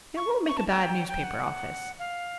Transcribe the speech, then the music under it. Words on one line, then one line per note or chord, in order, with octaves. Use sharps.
It won't make a bad newspaper office.
C#6
C#6
A5
G5
G5
F#5
F5